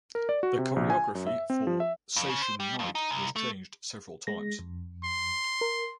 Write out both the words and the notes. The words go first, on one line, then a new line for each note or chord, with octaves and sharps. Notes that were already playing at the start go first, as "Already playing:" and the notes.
The choreography for "Seishun Night" was changed several times.
A#4
D5
F#4
C3
A#1
G#5
F#2
E5
C4
F3
E5
F2
C#3
C5
G3
F2
D#4
C2
A3
G#3 A#6
F2
C6
A#4